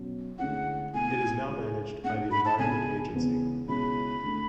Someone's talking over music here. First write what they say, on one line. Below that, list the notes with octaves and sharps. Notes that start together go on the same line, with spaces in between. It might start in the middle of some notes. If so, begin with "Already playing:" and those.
It is now managed by the Environment Agency.
Already playing: B2 F#3 C#4
D2 D3 G#3 C#4 E4 F#5
B2 A3 E4 G#5
C#2 C#3 G#3
A2 G#3 D4 F#5
B5
A5
C#2 B2 G#3 D4 G#5
E2 C#3 G#3 B3
C#2 B2 G#3 C#4 E4 B5
D2 D3 A3